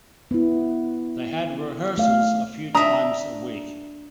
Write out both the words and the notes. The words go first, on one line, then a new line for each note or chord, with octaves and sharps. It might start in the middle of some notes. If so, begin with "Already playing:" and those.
They had rehearsals a few times a week.
B3 E4
A3 F5
D4 E5 A#5 D#6